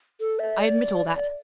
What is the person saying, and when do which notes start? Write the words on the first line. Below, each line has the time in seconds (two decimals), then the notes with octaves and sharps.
I admit all that.
0.21 A4
0.39 E5
0.59 D5